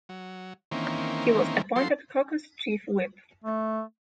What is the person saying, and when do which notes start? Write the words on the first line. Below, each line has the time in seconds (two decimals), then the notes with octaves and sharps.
He was appointed caucus chief whip.
0.09 F#3
0.71 D#3 E3 A#3 C4 C#4
1.76 F3 F#3 A4 C5 C6
3.44 A3